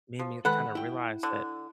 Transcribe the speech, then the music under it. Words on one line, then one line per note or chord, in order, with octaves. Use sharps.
made me kinda realize that
F3
D#3 G#3 A4 B4 F#5
E4 G5
D3